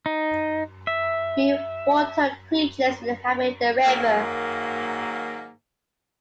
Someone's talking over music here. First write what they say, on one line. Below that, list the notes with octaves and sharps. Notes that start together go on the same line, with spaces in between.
Few water creatures inhabit the river.
D#4
E5
G#2 D#3 F#3 A#3